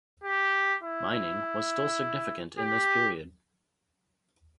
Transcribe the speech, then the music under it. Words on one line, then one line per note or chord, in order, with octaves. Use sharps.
Mining was still significant in this period.
G4
E4
G4